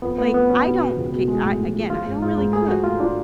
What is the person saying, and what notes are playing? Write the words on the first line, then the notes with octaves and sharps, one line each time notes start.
like, I don't, okay I again, I don't really cook,
F2 B3
A3 B3
F2 B3
F2 C#4
B2
B3
C#2
B2
G#3
A2
A2
F3
F3 F4
G#2
G#2 F4
G#2
A3 G#4
F3 F#4
A3 F4
D4 F4